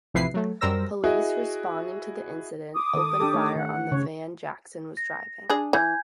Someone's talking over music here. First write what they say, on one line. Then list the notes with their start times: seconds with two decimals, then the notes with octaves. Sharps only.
Police responding to the incident opened fire on the van Jackson was driving.
0.14 A1 C3 F3 E4 B4 C7
0.34 F#3 A3
0.61 F#2 G3 A#4 C5 E6 A#6
1.04 E4 F#4 G#4 D#5
2.74 D6 D#6
2.94 D#3 A4
3.20 D4 G4 A4
3.33 A3 D#4 C#5
3.56 D#3 F#5
3.92 C#3 C#5
4.97 A#6
5.50 D4 G#4
5.73 E3 G#5 G6 G#6